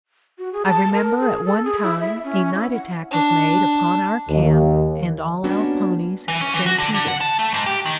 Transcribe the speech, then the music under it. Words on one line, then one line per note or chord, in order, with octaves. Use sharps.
I remember at one time a night attack was made upon our camp and all our ponies stampeded.
F#4
G#4
A5
A#4
G#4
A4
G#4
E4
E5
C#4
E4
F#5
D4
D#2
G3 A#3 B3 C#4 D4 F#4
E3
C#4
E3
F#4
D3
D3
F#5
A5
A3
G#2
G4
D#3